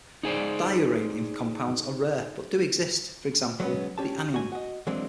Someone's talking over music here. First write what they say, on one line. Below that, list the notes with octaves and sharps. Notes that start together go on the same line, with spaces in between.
Diuranium compounds are rare, but do exist; for example, the anion.
D#4 G#4 C5 D5
F#3 G#3 B3 C#4
C#4 G4 A5
F#4 G#5
F#4 D#5
E3 F#3 G#3 A#3 C4 D4